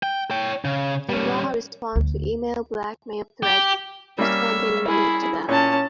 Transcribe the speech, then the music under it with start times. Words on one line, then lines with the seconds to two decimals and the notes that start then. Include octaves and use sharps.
Do not respond to email blackmail threats or send any money to them.
0.03 G5
0.31 C#5 G5
0.65 C#3
1.09 G3 C#4
1.96 D2
3.43 G4
4.18 G3 A#3 C#4 E5
4.85 E4 G#4
5.48 A#2 C#4 C#5 A5 C#6